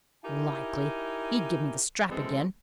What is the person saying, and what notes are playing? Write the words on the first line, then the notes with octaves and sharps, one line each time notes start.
Likely! he'd give me the strap again.
D#4 E4 G4 A#4 G#5
F#2 E3 G#3 C4 A4